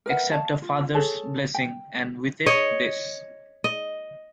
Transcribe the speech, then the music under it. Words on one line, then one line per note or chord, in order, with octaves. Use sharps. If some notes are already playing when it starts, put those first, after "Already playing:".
Accept a father's blessing, and with it, this.
A#4 B4 E5 F#5
C#5 D#5 F5 A5
F4
G#4 A4 C#5 A5
G5
C#5 D#5
D#5